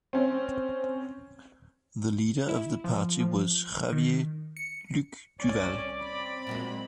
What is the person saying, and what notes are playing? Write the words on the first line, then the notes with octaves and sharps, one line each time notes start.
The Leader of the party was Xavier Luc Duval.
C4 C#4
E4
F3
F3
D#3
C#7
C2 A2 C#4 D5
C4 B5
A#2 F#3 G#3